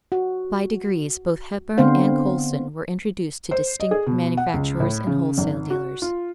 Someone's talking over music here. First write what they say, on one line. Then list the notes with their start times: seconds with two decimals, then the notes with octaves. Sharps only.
By degrees both Hepburn and Coulson were introduced to distant manufacturers and wholesale dealers.
0.12 F#4
1.78 D3 B3 C4 D4 C5 F5
3.51 C5
3.80 D#5
3.91 G#4
4.07 B2
4.37 F#5
4.54 C#2
4.80 A2
5.07 C#3
5.38 G#1
5.70 F#4
6.02 F4